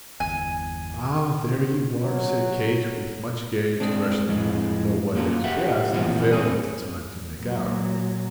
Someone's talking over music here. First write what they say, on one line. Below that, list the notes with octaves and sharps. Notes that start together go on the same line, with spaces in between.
"Ah there you are!" said Kate with much gay expression, though what it expressed he failed at the time to make out.
G1 E2 G#5
F#3
G#3 C4 D4
F2 A2 G#3
A#3 C#4 F4 F#4
G4 E5 F#5
A#2 E3 F3 G3 B3 C4
A3 C4 D4 G#4
A#2 F#3